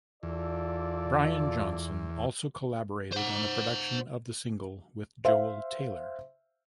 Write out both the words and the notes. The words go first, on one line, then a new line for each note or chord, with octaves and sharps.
Brian Johnson also collaborated on the production of the single with Joel Taylor.
E2 F4 A4 D5
C5 F#5
C5 E5 F5